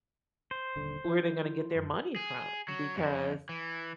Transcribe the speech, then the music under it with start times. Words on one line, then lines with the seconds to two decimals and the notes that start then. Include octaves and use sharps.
where they're gonna get their money from, because
0.51 C5
0.76 D#1 D3
1.05 F3 F#3 E4
1.76 F#2
2.16 G#4
2.68 F#3
2.96 F2
3.49 E3